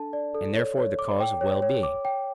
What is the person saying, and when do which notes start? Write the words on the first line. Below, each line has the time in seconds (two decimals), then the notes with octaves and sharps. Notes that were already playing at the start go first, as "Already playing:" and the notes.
And therefore the cause of well-being?
Already playing: D4 A4 A5
0.13 D5
0.35 A4
0.56 C#5
0.77 C#5
0.99 D6
1.20 G5
1.41 C#5
1.62 C#5
1.83 D6
2.05 G5